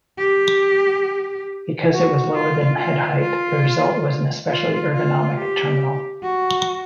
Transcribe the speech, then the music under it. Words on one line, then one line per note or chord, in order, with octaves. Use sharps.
Because it was lower than head height, the result was an especially ergonomic terminal.
G4
F#4
F4
F4
F4
F4
F4
G4
F#4